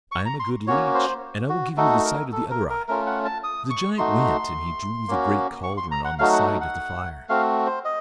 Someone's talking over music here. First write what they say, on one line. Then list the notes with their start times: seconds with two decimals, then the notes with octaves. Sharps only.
I am a good leech, and I will give you the sight of the other eye.' The giant went and he drew the great caldron on the site of the fire.
0.12 C#6
0.26 A#5
0.40 C6
0.67 A#3 C#4 F#4 C#5
0.95 C5
1.49 F#4
1.77 A3 D#4 F#4 A4
2.05 A#4
2.32 A4
2.51 A#4
2.70 A#4
2.88 A3 C#4 F4 A#4
3.06 F#5
3.25 A5
3.44 D#6
3.70 C#6
3.98 A3 D#4 F#4 C6
5.08 A#3 C#4 F#4
5.63 C#6
5.77 C6
5.91 A#5
6.05 F#5
6.19 F#3 A3 D#4 F#4 F5
6.33 F#5
6.47 F#5
6.61 F#5
7.29 A3 C4 F#4 F5
7.66 C5
7.85 D#5